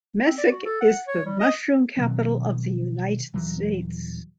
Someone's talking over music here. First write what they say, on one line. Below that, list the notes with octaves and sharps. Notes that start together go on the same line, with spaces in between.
Mesick is the Mushroom Capital of the United States.
C4
D5
F#4
A4
F#5
C#5
G3
D#5
B2 D#3 F#3 C4
D#1 E3 F#3